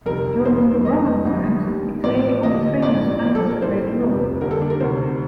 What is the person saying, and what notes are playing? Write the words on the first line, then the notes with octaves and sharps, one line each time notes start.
During Roman times, it lay on the famous amber trade route.
F2 C3 D#3 G3 A#4
F1 F2 D#3 G3 C5
F1 F2 D#3 D#5
G1 G2 D3 G3
D#2 D#3 G3
A1 A2 F3 D5
D#2 D3 F3 D#5
A1 G2 F3 D5
A#1 A#2 F3
A4
A#4
A1 G2 D#3 G3 C5
F1 F2 C3 F3
D#2 D3 G3 A#4
A4
D4
A#4
D2 C3 D#3 C5